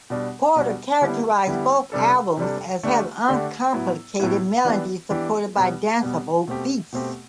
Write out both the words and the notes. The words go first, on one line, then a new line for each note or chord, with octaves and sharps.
Porter characterized both albums as having uncomplicated melodies supported by danceable beats.
B2 G3 D4 F#4
B2 G3 D4 F#4
D3 G3 B3 E4 G4
D3 G3 B3 E4 G4
C3 G3 D4 A4
C3 G3 D4 A4
D3 A3 D4 G4
D3 A3 D4 G4
A2 F#3 B3 E4
A2 F#3 B3 E4
E3 B3 D4 G4
E3 B3 D4 G4
B2 G3 B3
B2 G3 B3
B2 A3 C4 G4
B2 A3 C4 G4